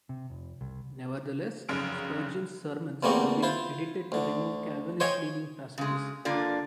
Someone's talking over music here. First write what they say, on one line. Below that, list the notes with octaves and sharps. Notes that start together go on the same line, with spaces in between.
Nevertheless, Spurgeon's sermons have been edited to remove Calvinist-leaning passages.
C3
F1
C2
F1 F#2 C#3 F6 D7
E2 G3 A3 A#3 C4 F#4
E4 F4 C5
D2 D3
C5 C#5 D#5 F5 G5 G#5
C#3 G#3
G2 D3 A#3 F4 D5